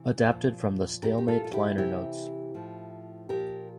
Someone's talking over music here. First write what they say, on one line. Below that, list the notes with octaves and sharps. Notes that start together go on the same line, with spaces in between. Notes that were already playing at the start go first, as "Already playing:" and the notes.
Adapted from the "Stalemate" liner notes.
Already playing: C3 E3
A#2 F3
A#2 F3 G4 A#4
G4
F4 A4
F4
E4 G4
C3 E3 E4 G4
A2 F3
A#2 F3 G4 A#4